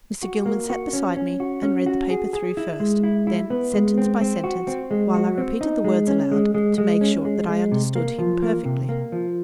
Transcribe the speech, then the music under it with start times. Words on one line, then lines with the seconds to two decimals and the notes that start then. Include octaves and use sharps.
Mr. Gilman sat beside me and read the paper through first, then sentence by sentence, while I repeated the words aloud, to make sure that I understood him perfectly.
0.23 F#4
0.46 A#3
0.70 F#4
0.93 C#4
1.17 C#4
1.40 F#4
1.63 C#4
1.86 F#4
2.10 G#4
2.33 G#4
2.57 E4
2.80 G#3
3.04 E4
3.27 E4
3.50 B3
3.73 G#3
3.98 C4
4.21 C4
4.44 F#4
4.68 C4
4.91 G#3
5.14 F#4
5.38 C4
5.61 D#4
5.85 G#3
6.08 C#4
6.32 G#3
6.55 G#3
6.78 G#3
7.01 C#4
7.25 G#3
7.48 G#3
7.72 C3
7.95 A#3
8.19 F3
8.42 A#3
8.65 C3
8.89 A#3
9.12 F3